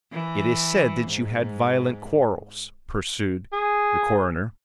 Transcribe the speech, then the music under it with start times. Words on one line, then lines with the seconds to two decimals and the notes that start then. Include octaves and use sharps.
"It is said that you had violent quarrels," pursued the coroner.
0.12 E3
1.08 G#2
3.53 G#4